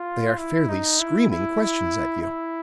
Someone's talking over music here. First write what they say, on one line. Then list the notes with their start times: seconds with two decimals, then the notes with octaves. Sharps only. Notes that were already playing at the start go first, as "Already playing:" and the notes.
"They are fairly screaming questions at you."
Already playing: F4
0.38 E4
0.69 D#4
1.00 E4
1.31 E4
1.61 E4
2.22 E4